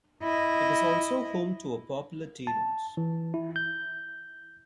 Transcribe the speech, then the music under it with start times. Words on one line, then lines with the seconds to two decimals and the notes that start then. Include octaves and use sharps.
It is also home to a popular Tea Rooms.
0.23 E4 D#5
2.47 A5
2.97 E3
3.34 E4
3.56 G6